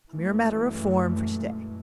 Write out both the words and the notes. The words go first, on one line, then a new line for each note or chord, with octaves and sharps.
A mere matter of form for to-day.
F#2 A#2 E3 G#3 A3